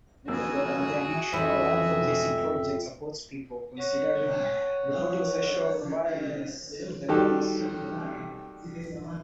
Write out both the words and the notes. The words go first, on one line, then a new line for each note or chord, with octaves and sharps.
Their National Advocacy Project supports people considering reporting sexual violence to the police.
F2 A#3 F#4 G#4 E6
F2 C#4 E5 B5
C#5 F#5
D#3 G3 F#4 G4 A4